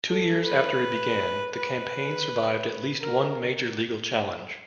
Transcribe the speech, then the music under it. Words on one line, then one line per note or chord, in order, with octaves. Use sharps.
Two years after it began, the campaign survived at least one major legal challenge.
A4
B4
B4
A#4